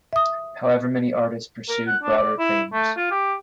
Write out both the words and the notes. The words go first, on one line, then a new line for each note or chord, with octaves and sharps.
However many artists pursued broader themes.
E5 D#6
A#4
F#5
D4
D5
E4
A3
F4
G4